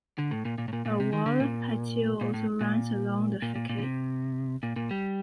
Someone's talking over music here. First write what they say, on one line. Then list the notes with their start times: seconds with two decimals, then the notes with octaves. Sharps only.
A walled patio also runs along the facade.
0.19 D3
0.31 A2
0.45 A#2
0.58 A#2
0.68 A2
0.73 A#2
0.86 A#2
1.00 C3
1.13 D#3
1.26 D3
1.40 A#2
2.21 A#2
2.34 A2
2.61 A#2
3.42 A#2
3.55 A#2
3.69 A#2
3.78 D3
3.82 C3
4.63 A#2
4.76 A#2
4.91 G3